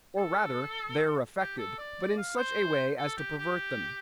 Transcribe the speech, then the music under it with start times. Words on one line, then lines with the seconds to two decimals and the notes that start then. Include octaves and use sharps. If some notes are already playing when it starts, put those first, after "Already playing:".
Or rather, they are affected, but in such a way as to pervert them.
0.18 A4
1.38 G4
1.58 A4
1.78 D5
2.17 F5
2.37 C5
2.98 A4
3.17 G4
3.38 G4